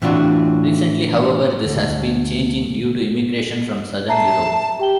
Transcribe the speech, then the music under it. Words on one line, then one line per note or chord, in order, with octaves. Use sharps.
Recently, however, this has been changing due to immigration from Southern Europe.
A2 E3 C4 D4 F4 F#4
D2
E5 A5 A#5 C7
G4 G5 G7